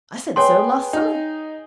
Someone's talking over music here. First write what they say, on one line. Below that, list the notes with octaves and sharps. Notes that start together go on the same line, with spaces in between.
I said so last summer.
B3 G#4 C#5 G5 C6
D#4